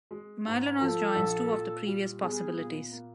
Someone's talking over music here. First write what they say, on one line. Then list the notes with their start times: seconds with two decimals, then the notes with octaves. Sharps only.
Mylonas joins two of the previous possibilities.
0.11 G#3
0.46 G#2
0.81 F3 A4
1.16 A#1
1.50 A#2
1.86 G3
2.21 B3 G#4
2.56 A#2
2.91 A#3